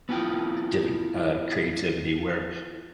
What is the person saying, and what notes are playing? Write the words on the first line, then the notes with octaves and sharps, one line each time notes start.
different, uh, creativity where,
B3 E4 F4 G5